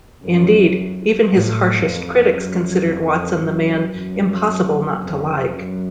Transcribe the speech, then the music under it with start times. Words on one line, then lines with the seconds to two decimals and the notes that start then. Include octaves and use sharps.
Indeed, even his harshest critics considered Watson the man "impossible not to like".
0.24 F#2
1.31 A2
1.84 F2
2.36 F#2
2.90 F2
3.43 F#2
3.96 F#2
5.02 F2
5.56 F#2